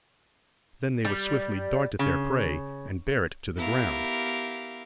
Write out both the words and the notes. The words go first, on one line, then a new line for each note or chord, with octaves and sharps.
Then they would swiftly dart at their prey and bear it to the ground.
G3
C#3
B3 E4 G4 A#4 F5